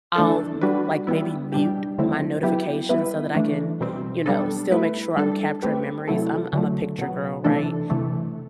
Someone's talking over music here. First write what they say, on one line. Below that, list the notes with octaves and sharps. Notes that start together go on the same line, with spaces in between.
I'll m like maybe mute my notification so that I can, you know, still make sure I'm capturing memories, I'm I'm a picture girl, right,
E3 A3 D4 A4
G3 D4 F#4 B4
G3 B3 E4
B2 G3 D4 G4
D3 F#3 A3 C4 E4
F#3 B3 E4 G4
G3 B3 E4 B4
E3 A3 D4
B2 G3 C4
G3 B3 D4 A4
A3 E4 B4
G3 D4 A4
A3 C4 G4 B4
C3 F#3 A3 E4 A4
D3 F#3 A3
B2 F#3 B3
C3 E3 A3 D4 A4
C3 E3 A3